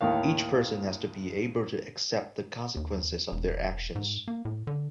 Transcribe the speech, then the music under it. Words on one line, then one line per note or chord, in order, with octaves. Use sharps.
Each person has to be able to accept the consequences of their actions.
D#2 A2 D#3 F5
D#2
E1
G#2
A#3
A2
D3